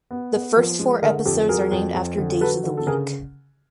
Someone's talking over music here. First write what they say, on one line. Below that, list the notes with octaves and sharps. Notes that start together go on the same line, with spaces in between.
The first four episodes are named after days of the week.
B3
B3
F3
G#3
D3 G#4 A#4
F2 G4 A4
F#3 G#4 A#4
F2
F2
D3
F#3 A4 B4
D3
A4
C#3 G#4 A#4